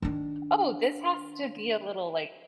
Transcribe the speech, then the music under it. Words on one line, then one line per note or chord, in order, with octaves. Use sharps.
"Oh, this has to be a little, like"
D#3 D4